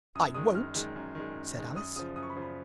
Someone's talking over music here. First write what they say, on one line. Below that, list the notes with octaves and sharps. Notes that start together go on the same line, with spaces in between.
'I won't!' said Alice.
F#2 D#6
D#3 G#3 D#6
F#2 F6
D#3 G#3
F#2
D#3 G#3
F#2
D#3 G#3
F#2 D#6
C#3 F3 D#6
F#2 D#6
C#6
B5
C#3 F3
B5